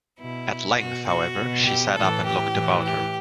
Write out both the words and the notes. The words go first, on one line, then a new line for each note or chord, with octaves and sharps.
At length, however, she sat up and looked about her.
B2 E4
B2 F#4
F#4
B2
G4
A2 E3 A4
G4
A2 E3
G4